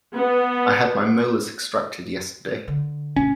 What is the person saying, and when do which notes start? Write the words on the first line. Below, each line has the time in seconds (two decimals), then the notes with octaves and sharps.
I had my molars extracted yesterday.
0.14 B3
2.68 D3
3.16 A#2 A3 C#4